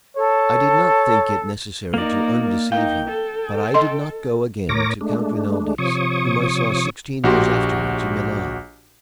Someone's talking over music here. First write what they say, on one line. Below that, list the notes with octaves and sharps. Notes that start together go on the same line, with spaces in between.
I did not think it necessary to undeceive him, but I did not go again to Count Rinaldi's, whom I saw sixteen years afterwards in Milan.
A4 C#5
A#3 D#4 A#4 D5
A#3 D#4 F5 G5
A4
D#5 C6
A2 A#4 C#5 D6 A#6
G#3 A3 D4
C3 F3 C#5 C#6 D#6
A#1 F#4 G4 C6